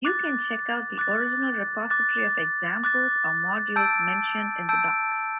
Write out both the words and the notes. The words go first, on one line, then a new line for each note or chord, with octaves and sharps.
You can check out the original repository of examples or modules mentioned in the docs.
D6 F#6 A6
D6 F#6 A6
D6 F#6 A6
D6 F#6 A6
A5 E6 G6 D7
A5 E6 G6 D7